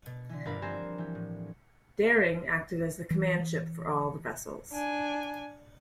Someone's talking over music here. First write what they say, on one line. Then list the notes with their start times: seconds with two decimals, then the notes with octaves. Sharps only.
"Daring" acted as the command ship for all the vessels.
0.06 B2
0.29 D3 E3
0.45 G1 C4 D4 A#4 F5 B5
0.62 F3 C4 G4 C5 G#5 A#5
0.98 E3 G4
1.15 A2
3.10 E3
4.73 D4 G#5